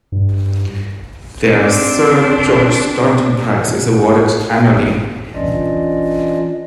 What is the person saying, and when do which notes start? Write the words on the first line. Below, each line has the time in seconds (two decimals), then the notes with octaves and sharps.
Their Sir George Staunton prize is awarded annually.
0.12 G2
1.47 C4 D4
5.34 E3 C#4 D4 F4 D5 D#5